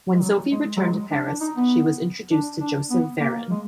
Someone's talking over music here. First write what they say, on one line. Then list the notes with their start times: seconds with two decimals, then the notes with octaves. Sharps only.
When Sophie returned to Paris, she was introduced to Joseph Varin.
0.14 G#3
0.21 F#3
0.52 G#3
0.77 F#3
0.82 G#3
1.11 D4
1.27 D4
1.41 D#4
1.56 B3
2.31 D4
2.60 D4
2.91 B3
3.20 A#3
3.51 G#3